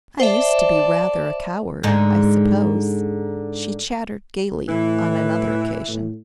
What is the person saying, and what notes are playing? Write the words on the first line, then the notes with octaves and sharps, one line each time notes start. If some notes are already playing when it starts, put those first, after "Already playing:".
"I used to be rather a coward, I suppose," she chattered gaily on another occasion.
C5 D5 E5 A5
G#2 D3 G#3
A2 E3
A2